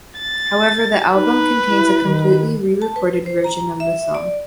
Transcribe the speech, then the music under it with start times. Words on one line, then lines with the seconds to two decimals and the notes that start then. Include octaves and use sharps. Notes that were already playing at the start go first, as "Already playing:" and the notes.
However, the album contains a completely re-recorded version of the song.
0.19 A6
1.14 D#4 B4
1.67 E4
2.04 D#3
2.82 A5
2.96 B4
3.26 C5
3.44 A#5
3.80 E5
4.15 D5